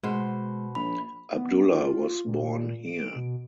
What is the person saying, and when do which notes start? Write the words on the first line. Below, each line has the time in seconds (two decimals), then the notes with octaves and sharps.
Abdullah was born here.
0.03 B2 G#3 C5
0.75 A#1 B5
1.35 B3
1.71 F4
2.26 A#2
2.45 A#2
2.86 D7
3.16 B2